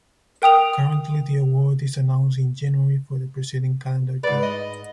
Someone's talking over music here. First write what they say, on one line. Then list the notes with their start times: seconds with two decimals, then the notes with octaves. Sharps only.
Currently the award is announced in January for the preceding calendar year.
0.42 A#4 G5 D#6 F7
4.23 G#2 B4 D5
4.43 D#5